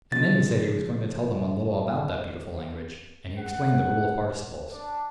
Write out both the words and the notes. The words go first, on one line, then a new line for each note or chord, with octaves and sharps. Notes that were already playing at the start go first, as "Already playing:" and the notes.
And then he said he was going to tell them a little about that beautiful language, and he explained the rule of participles.
C#3 F3 A6
F#5
D4